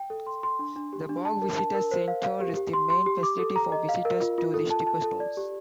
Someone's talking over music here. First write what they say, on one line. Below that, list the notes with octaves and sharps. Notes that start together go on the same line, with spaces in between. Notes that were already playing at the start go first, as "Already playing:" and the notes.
The Bog Visitor Centre is the main facility for visitors to the Stiperstones.
Already playing: G5
A4
C6
C6
D4
D4
G4
D4
A5
A#4
A5
A#4
C5
F5
F5
G4
G4
C6
C6
G4
D6
A4
A#5
D#5
F5
A#4
F4
F4
A4
A5
A5
A4
D5
G4